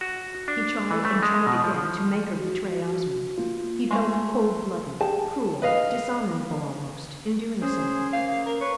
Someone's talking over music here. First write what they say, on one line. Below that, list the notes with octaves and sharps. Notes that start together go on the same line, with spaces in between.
He tried and tried again to make her betray Osmond; he felt cold-blooded, cruel, dishonourable almost, in doing so.
F#4
D4
E3
A3
G#3
B2
F3
F#4
A#3 F4
G#3 A3 C6
G4 G#4 G5 A5
B4 D#5 F5
C#4 G#4 C5
A#3 F5
A#4
B4 C#5 C#6